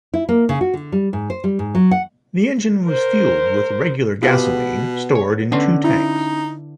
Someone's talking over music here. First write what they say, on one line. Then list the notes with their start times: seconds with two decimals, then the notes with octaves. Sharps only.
The engine was fueled with regular gasoline stored in two tanks.
0.14 E4
0.29 A#3
0.49 C#3
0.61 F#4
0.74 D3
0.92 G3
1.13 G#2
1.30 C5
1.44 G3
1.59 G#2
1.75 F#3
1.91 F#5
2.86 A#4 C5
4.23 B2 B3 F4 G4
5.15 C#5
5.52 D3 B3 C#4 C6
5.84 D#4 E4